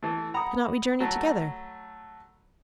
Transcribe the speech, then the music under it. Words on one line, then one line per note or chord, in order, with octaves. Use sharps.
Cannot we journey together?'
E3 A3
F#5 A#5 B5 D#6
F#3 A3